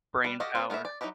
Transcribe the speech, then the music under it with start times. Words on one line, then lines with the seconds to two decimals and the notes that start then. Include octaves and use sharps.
brain power.
0.24 G3 B4
0.40 F#4 G4 A4 D#5 F5
0.55 B3 C4 F4 B4
0.70 A3 B3 A#4 C5 E5
0.85 D5
1.01 F#3 D#4 E4 F#4 G4